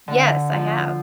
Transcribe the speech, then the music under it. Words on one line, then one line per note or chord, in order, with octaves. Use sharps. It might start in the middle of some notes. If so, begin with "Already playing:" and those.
Yes, I have.
D3
F3